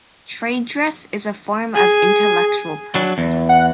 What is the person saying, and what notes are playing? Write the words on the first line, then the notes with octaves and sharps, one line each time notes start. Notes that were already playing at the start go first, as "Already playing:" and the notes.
Trade dress is a form of intellectual property.
G#4 G#5
F#3 D4
E2
F#5